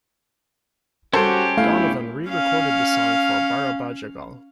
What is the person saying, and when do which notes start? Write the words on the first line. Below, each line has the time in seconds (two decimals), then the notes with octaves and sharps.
Donovan re-recorded the song for "Barabajagal".
1.13 G3 C#4 F#4 G4 A4 C5
1.57 G1 A3 E4 F5
2.28 C#4 F5